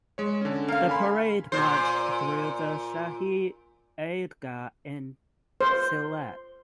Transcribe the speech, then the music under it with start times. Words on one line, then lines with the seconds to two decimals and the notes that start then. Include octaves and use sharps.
The parade marched through the Shahi Eidgah in Sylhet.
0.18 G#3 C#5
0.41 D3 C#4
0.68 A#3 F5
0.89 G#5 B5 C6
1.52 A#2 C5
5.61 C5